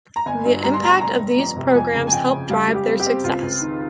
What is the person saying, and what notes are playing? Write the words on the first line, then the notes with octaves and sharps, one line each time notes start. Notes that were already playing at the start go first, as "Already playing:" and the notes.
The impact of these programs help drive their success.
A#5
G1 G#5
G2
G3 A#5
C6
G3 A#5
F1 A#5
F1
F2
C3
F2 G#5
C#3
G#5
F2 G5
C#3
G3 F5
G3
G4
C4
G4
C4
C#2 F4
C#2
D#3